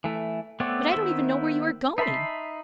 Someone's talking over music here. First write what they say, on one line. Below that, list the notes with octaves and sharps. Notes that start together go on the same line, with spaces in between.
But I don't even know where you are going.
E3 A3
A3 B3 C4 C#5 D5
D#3 B3 E4 C5 E5
D#4 E5 A5 B5 C6